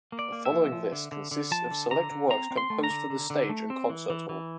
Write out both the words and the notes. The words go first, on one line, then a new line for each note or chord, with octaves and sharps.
The following list consists of select works composed for the stage and concert hall.
A#3
D5
A#3
E5
F3
F3
D3
D3
D3
F3 A5
D3
D3 A#5
D3
C4 A#5
C4
C6
A3
A#5
D3
D3
D3
A3
C4
E3
E3
E3